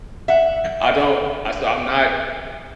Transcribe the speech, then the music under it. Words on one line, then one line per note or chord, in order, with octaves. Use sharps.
I don't, I so, I'm not
E5 F#5